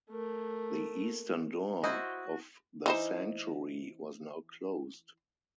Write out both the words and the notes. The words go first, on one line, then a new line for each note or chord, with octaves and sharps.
The eastern door of the sanctuary was now closed.
A3 A#4
E4 F#4 C5 D#5
E3 D#4 C5